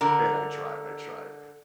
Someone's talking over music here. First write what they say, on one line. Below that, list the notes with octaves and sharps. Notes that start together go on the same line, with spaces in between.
Hey, I tried, I tried.
D3 A#4